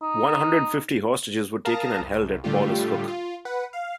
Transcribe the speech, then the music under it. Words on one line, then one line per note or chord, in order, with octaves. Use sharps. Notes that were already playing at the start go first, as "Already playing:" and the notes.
One hundred fifty hostages were taken and held at Paulus Hook.
D#4
A#4 F5 A5 A#5 D#6 A#6
C2
A2 D3 G3 A3 F4 G4
F4
B4 F#5
F5